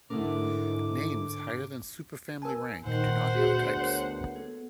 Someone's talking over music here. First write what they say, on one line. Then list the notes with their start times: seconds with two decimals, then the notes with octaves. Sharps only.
Names higher than superfamily rank do not have types.
0.10 G#2 D3 A3 D4 E4 A#4 D6
2.42 A#4 G#5 A5 E6
2.85 A#2 D#3 C5 F#5
3.35 D2 B3 F#4 G#4
3.80 A#4 C#5 C7 C#7
4.35 B3 A4